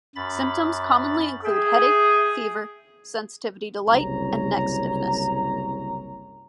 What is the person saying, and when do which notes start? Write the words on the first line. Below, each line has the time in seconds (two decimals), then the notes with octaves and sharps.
Symptoms commonly include headache, fever, sensitivity to light, and neck stiffness.
0.16 F#2 B5 A6
1.45 G#4 E5 G5
3.89 F#1 C2 C#5 A#5